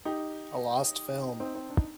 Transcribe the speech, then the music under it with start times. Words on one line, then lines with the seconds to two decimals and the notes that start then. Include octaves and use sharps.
A lost film.
0.05 D#4 G4
1.40 C4 D#4
1.55 C4 D#4
1.70 D4
1.78 D#4